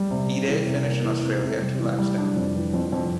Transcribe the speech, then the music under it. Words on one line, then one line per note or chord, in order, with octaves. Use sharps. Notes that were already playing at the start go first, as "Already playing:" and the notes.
Ide finished in Australia, two laps down.
Already playing: G3
C3
C3
E3
C3
A#3
E3
C3
C3
G3
E3
G3
D4
F2
E3
F2
F2